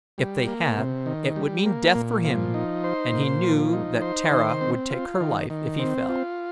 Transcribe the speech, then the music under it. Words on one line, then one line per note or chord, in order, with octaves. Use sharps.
If they had it would mean death for him, and he knew that Tara would take her life if he fell.
G3
A#3
C3
D#3
G3
A#3
A#2
F3
D#4
C5
A#2
F3
D#4
C5
D#3
C4
F4
D#3
D#3
C4
F4